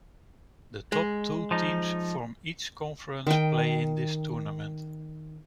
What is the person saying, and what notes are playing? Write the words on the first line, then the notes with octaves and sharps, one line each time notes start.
The top two teams from each Conference play in this tournament.
G#3
F3 D#4
D#3 G5